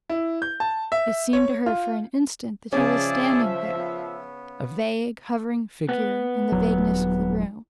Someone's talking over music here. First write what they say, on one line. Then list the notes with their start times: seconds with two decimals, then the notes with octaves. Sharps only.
It seemed to her for an instant that he was standing there--a vague, hovering figure in the vagueness of the room.
0.09 E4
0.42 G6
0.60 A5
0.92 E5
1.33 C#5
1.66 F4
2.73 C#3 F3 C#4 G#4 D5 E5 A5
3.78 B3
5.89 B3
6.52 D#1 G#1 F#3